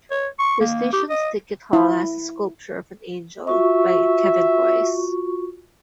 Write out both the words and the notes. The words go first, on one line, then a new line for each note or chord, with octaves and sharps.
The station's ticket hall has a sculpture of an Angel by Kevin Boys.
C#5
C#6
A#3
G4
D#5
E4
F4 F#4 E5 C#6